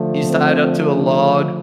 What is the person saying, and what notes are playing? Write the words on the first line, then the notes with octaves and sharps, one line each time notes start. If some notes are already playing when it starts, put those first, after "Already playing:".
he's tied up to a log,
Already playing: D3 F3 A3
C4
D4